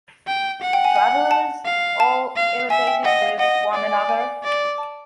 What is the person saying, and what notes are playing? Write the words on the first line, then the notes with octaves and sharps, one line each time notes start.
The travelers, all irritated with one another...
G5
F#5
G5
G#5
G#5
A5
F5
A5
F5
E5 G#5
G5
D#5 F#5
F5
D#5 F#5
F#5
D5 G#5
G#5
G#5
D5
A5